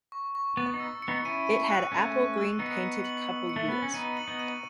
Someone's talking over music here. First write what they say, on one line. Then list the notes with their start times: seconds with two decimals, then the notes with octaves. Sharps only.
It had apple green painted coupled wheels.
0.12 C#6
0.35 C#6
0.57 B3 A6
0.74 B3 D#4
0.80 E6
1.02 C#7
1.08 B3 D#4
1.25 C#4 E4 D#7
1.47 D#7
1.70 F#6
1.92 A3 C#4 C#6
2.14 C#6
2.37 E6
2.59 B3 D#4 C#7
2.82 C#7
3.04 F#7
3.27 F#7
3.49 C#7
3.56 A3
3.68 B3 A6
3.82 C#4
3.94 B3 D#4 D#7
4.17 F#7
4.28 B3 D#4
4.39 D#7